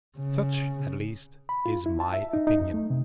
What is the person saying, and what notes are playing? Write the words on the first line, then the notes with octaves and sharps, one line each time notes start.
Such, at least, is my opinion.
C#3
B5
F4
E4
A5
E5
D#4
D#4
F#2
A3
C3